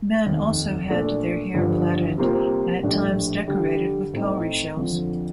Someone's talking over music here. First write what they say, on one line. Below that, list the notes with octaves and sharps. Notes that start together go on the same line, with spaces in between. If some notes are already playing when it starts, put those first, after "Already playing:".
Men also had their hair plaited and at times decorated with cowrie shells.
F1 D#2 D#3
A#2 A3 D4 A4 D5
G1 G2 D3 F3
C3 G3 A#3 F4 C5
A#1 A2 A3 D4 G4
D3 G3 D4 G4
A2 A3 C4 D#4
F2 D3 F3